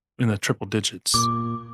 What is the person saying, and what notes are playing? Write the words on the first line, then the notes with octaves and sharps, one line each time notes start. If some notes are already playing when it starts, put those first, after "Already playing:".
in the triple digits,
A#2 D6